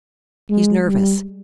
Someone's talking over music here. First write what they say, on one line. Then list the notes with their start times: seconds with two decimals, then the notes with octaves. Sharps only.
He's nervous.
0.50 G#3
0.87 G3